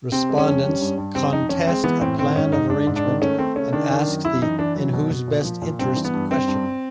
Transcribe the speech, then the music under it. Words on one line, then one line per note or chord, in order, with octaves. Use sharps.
Respondents contest a Plan of Arrangement and ask the "in whose best interest" question.
C3 C4
G#3
C#4
F2
G3
G2
G2
C3 C4
F2 D#4
F2 C#4
G#3 C4
E3 B3
A2 C4
D#3 C4
G#2 C#4
G#2 D#4
G#2 D4
G#2
D4
D#3
A3 C#4
A3 C4
C#3 C#4
D#3 D4
D#3
F#2
F#2 E4
E3 D#4
E3 D4
F#3
B2
B2
A#2
F3
A#2
G2 C4
E3
B3
G2
G2 C4
G2